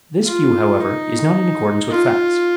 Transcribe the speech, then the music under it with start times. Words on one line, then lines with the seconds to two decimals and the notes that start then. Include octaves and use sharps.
This view, however, is not in accordance with facts.
0.25 F4
0.80 D#4
1.90 F4